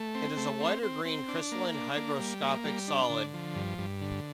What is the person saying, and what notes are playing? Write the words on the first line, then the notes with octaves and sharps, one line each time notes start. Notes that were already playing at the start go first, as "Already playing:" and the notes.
It is a white or green, crystalline, hygroscopic solid.
Already playing: A3
C4
A3
C4
C4
C4
D4
A#3
D4
A#3
G3
A#3
G3
D4
D3
F3
G2
G2
D3